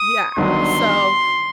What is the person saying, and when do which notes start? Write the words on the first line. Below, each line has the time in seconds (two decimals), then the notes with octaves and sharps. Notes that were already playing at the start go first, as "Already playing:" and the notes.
Yeah, so,
Already playing: D#6
0.36 G1 G2 D#3 F#3 C6